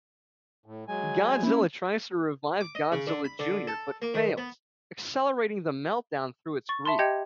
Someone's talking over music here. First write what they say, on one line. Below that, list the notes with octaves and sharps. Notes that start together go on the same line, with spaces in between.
Godzilla tries to revive Godzilla Junior, but fails, accelerating the meltdown through its grief.
A2
F#3 G#3 G#5
A#3 C#4 E4
D6
D#5
C#3
D3
B5
D3
A4
A#3
D#3
B3
C#6 A6
E5 A5 B5 C6
G4 D#5 G5 G6 G#6 C#7